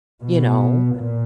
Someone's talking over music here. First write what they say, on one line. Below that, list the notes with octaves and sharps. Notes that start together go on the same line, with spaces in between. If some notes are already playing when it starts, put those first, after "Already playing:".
you know?
B2
A#2